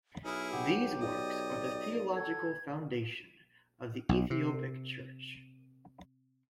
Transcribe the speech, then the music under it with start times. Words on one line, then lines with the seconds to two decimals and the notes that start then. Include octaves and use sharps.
These works are the theological foundation of the Ethiopic Church.
0.25 B1 B3 E4 G#4 F6
0.52 G4 F#5
1.01 D5 D#5
2.15 A4 G#6
4.09 B1
4.30 C3